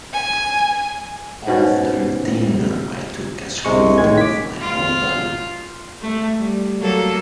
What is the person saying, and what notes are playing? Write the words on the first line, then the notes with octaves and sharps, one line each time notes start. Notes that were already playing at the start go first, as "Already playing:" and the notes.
After dinner I took a screed of my novel.
G#5
G#2 B2 C#4
C2 C3 G#3 C#6
A1 A2 D#3 G#3 G#6
D6 B6
F4
A3
G3
F#3 A#3 A4